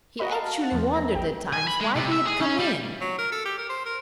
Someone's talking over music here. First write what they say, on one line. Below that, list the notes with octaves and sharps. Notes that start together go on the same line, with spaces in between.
He actually wondered at times why he had come in.
F#4 A#4 D#5 B5
F5 A5
F#5 A6
E2 F3
A#6
A1 G5
G#5
B5
G#3
C3
E5
G#4
C#4
G3
F#3
A#4
A4
G4
A#4
C5
A#4